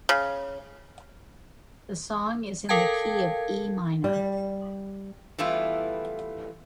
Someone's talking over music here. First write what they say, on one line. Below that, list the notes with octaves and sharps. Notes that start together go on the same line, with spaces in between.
The song is in the key of E minor.
C#3
A4 A#4 F5 G5 A5 G#6
G3
E3 G3 A3 B3 E4 F4